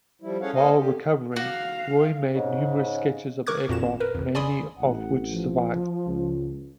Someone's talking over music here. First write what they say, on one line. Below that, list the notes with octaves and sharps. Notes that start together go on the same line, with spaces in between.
While recovering, Roy made numerous sketches of aircraft - many of which survive.
F3 G3 E4
C#4 G#4 A4 C#5 F5 F#5
A#3 A4 C5 D#5 F5 G#5
D3 G4
F#4 F5
G#2 C#3
A#4 C#6 D6 F#6 G#6
G#1 F2 A#2 F#4 E7
A#4 B4
A1 F2
D5 G#5 B5 C6 D#6
A1 F#5
F3
C#2